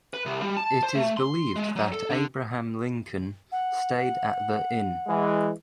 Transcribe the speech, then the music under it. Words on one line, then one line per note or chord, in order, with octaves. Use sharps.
It is believed that Abraham Lincoln stayed at the Inn.
B4
C2
G3
A5
C5
A3
C6
G#3
F#3
A4
D3
F#5
E3 G#3